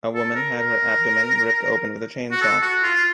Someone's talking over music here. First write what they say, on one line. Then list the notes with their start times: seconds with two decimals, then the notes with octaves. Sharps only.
A woman had her abdomen ripped open with a chainsaw.
0.15 A4
0.35 A#4
0.56 A#4
2.32 F#4
2.41 A4
2.62 F#4
2.83 F4
2.95 F4